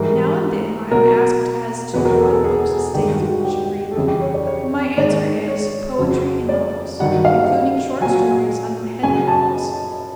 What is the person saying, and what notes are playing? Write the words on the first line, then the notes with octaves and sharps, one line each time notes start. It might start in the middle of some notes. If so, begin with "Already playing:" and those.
Now and then I am asked as to "what books a statesman should read," and my answer is, poetry and novels--including short stories under the head of novels.
Already playing: G#2 E3 G3 A#4
B2 F#3 A#4
E2 B2 F#3 B4
A#4
A4
A4
G#4
G2 D#3 G#3 G4
F#4
G4
A4
F2 C#3 E3 G3 G#4
G4
C#5
D5
C#5
G#2 D#3 G#3 D5
C#5
F2 C#3 F#3
D5
G2 D#3 F#3 F#5
F5
A#2 F#3 G#5
F#2 C#3 F#3 G#5
A5